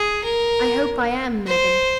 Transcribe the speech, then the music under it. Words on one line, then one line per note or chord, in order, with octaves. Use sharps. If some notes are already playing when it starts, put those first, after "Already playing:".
"I hope I am, madam."
Already playing: G#4
A#4
C5